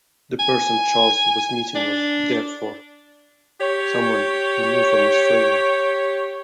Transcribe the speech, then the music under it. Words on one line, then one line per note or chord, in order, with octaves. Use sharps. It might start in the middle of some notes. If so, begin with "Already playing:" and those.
The person Charles was meeting was, therefore, someone he knew from Australia.
G#5
D4
G4 C#5